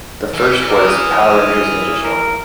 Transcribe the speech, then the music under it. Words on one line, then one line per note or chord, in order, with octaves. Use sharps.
The first was "Power Rangers Ninja Storm".
E3
A#4 D5
D#6 F6
A#4